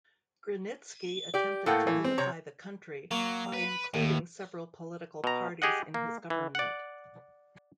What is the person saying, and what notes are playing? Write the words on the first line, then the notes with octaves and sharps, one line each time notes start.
Grunitzky attempted to unify the country by including several political parties in his government.
G4 D5
A2 A#3 A4 F#5 G5
E3
C4
C3 C#5 A#5
F#3 A#3
B4
D#2 A2
B2 A#5
G4 G#4 D#5 F#5
A#3
E3
D5 F#5